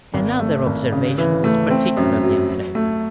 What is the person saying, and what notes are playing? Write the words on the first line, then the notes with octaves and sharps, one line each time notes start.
Another observation was particularly unpleasant.
G#1
A3
G#1
C#3
E3
A3
C4
F#2
F#3
F#3
A3